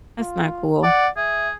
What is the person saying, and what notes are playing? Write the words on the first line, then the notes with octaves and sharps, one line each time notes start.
That's not cool.
F4
D5 F#5
G#4 E5